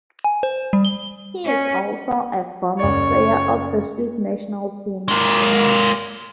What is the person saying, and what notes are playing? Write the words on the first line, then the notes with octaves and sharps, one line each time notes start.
He is also a former player of the Swiss national team.
G#5
C5
G3
G7
C#4
F#1 C#5 D5
G#3 A#3